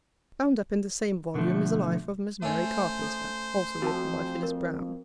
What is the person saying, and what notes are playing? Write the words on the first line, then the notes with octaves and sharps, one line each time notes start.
Bound up in the same volume is a Life of Miss Mary Carpenter, also written by Phyllis Browne.
B2 D3 E3 F3 A3
A3 C#4 C5
A4
F2 F#4 A5
A#4